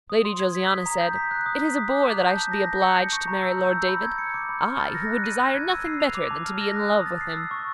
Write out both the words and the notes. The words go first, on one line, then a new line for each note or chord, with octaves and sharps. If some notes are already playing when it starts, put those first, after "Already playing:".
Lady Josiana said, "It is a bore that I should be obliged to marry Lord David; I, who would desire nothing better than to be in love with him!"
D#6
C6
G#6
B6
D#6
A#5
G6
B6
F#6
D#6
B6
D#6
D6
A5
G6
A5
A#6
G6
C#7
G6
C#6
A#5
E6
G6
E6
B5
G#6
C#7
D6
B5
F6
A6
A#6
F#6
D#7
F#6
G#6
E6
C7
F7
D6
A5
F6
A#6
F#6
D#6
A6
C7
E6
C#6